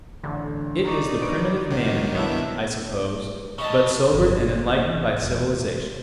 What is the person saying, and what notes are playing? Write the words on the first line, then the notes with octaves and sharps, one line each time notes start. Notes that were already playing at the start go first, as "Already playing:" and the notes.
It is the primitive man in me, I suppose, but sobered and enlightened by civilization.
A1 D3
D#4 D5 A#5 C#6
B4 C#6 D7
B1 D#3 F#3 D6
B3 D4 E4 C#5 E5
C2 C#3 C#5 D#5 A5
G1 F2
E1